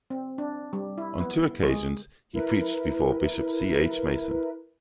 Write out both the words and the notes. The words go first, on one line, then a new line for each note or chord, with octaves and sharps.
On two occasions, he preached before Bishop C. H. Mason.
C4
D4
G3
E4
B3
G#3
E4 A#4 B4